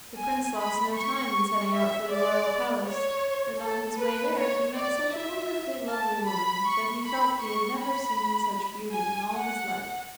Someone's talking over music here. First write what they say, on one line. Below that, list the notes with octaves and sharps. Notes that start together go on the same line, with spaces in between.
The prince lost no time in setting out for the royal palace, and on his way there he met such a wonderfully lovely woman that he felt he had never seen such beauty in all his life.
G#5
B5
C#6
C#6
E5
D5
C#5
A4
B4
C#5
D5
E5
A5
B5
C#6
B5
C#6
B5
G#5
F#5